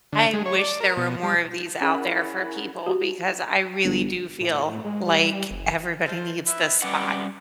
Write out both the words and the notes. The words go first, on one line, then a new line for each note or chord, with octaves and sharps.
I wish there were more of these out there for people because I really do feel like everybody needs this spot.
D3
G#3
C#5
D5
A#4
B2
G3
C#4 E4 G#4 A#4 F#5 B5
F#4 G4
G1
A2
G#3
G3
F#1
F4 A4 C5
E4 B4 E5
G3 C#4 B4 F#5 G5 D6